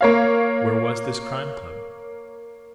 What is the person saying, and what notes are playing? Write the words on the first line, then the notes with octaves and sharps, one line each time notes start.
Where was this Crime Club?
A#3 C#5 F5